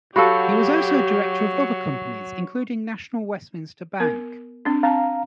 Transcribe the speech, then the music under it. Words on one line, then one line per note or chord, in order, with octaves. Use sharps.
He was also director of other companies including National Westminster Bank.
F#3 F#4 G4 A4 F5 B5
B3 A#4
C4 D4
C4 F5 A5 A#5